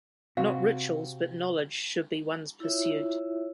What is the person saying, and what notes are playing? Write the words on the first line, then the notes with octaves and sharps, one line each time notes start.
Not rituals, but knowledge should be one's pursuit.
C3 C4 F#4 F5
E4 F4 C#5 E5